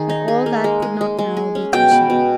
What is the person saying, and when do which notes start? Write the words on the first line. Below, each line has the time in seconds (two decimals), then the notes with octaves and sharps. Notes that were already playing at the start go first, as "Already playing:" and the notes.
But all that could not now be considered.
Already playing: D#3 G#4
0.10 D#4
0.28 G#4
0.46 A#3
0.64 G#3
0.82 G#4
1.01 G#3
1.19 G#3
1.37 G#4
1.55 C#4
1.73 B2 G5
1.91 B3
2.10 B2